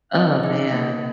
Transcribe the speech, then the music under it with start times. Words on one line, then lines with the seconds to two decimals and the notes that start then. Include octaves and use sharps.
Oh, man.
0.15 C4 D#5
0.44 D#4 G#4
0.72 A#3